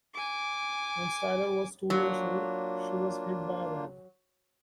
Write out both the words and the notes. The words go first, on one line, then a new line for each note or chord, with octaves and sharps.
When Styler was two years old, she was hit by a van.
G#5 D6
F#3 A#3 D4 F4